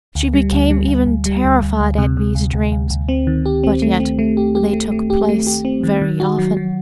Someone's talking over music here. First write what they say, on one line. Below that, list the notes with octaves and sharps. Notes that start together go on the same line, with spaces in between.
She became even terrified at these dreams; but yet they took place very often.
D2
G3
D2
G3
D2
D2
G3
D2
D2
D2
C3
C3
D2
D2
D2
D2
C4
D#3
G4
C4
A3
C4
A3
G4
G4
A3
A3
G4
A3
G4
C4
D#3
D#3
F#4
F#3
F#3